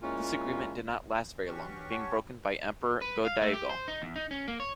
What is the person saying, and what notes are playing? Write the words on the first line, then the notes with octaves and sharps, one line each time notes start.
This agreement did not last very long, being broken by Emperor Go-Daigo.
A#2 G#3 C#4 E4 F4
E3 C#4 D4 F#4 G4 C#6
C#5 F#5 G#5 A5
B4
F5
A3
G4
C5
D#4
E2
D#4
C#4
A#3
C#5